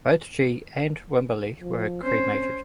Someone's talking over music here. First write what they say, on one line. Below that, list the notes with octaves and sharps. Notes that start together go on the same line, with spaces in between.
Both she and Wymberly were cremated.
F3
C4 C#4 C5